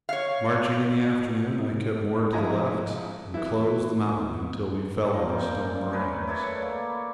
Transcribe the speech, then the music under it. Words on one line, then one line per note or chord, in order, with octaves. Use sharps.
Marching in the afternoon, I kept more to the left, and closed the mountain till we fell on the stone moraines.
C#5 F5
G#1 F2 E4 D#5 G#5 A#5
E3 E4
A#2 F3 A#4
C3 G3
A3 C#4 A#4 B4
E4 A4 C#5 D5
A#3